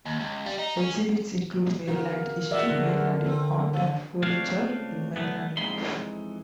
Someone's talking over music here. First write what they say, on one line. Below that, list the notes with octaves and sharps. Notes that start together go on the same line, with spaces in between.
Exhibits include Maryland's history, Maryland in art and furniture in Maryland life.
D#2
C#2
G3
D#4
C#4
D3 F#4 A#4
E3 G#3 F#4 D5 E5
D3
C4
F3
C#2 A3 C4 D4 C#5 F5
D3 F#3 A3 B3
F2 E3 G#3 D#4 B5 C6